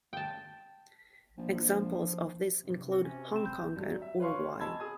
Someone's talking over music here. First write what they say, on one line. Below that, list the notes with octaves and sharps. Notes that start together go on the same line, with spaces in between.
Examples of this include Hong Kong and Uruguay.
G5 A5
A#1 F3
G2 C3
F#4
C#4
C4 B5 E7
D1 G6
G2 F#3
E5
B4 C#5 F5 C6 C#6
D#5 G#5 A5 B5 E6 G#6
G#4 D#6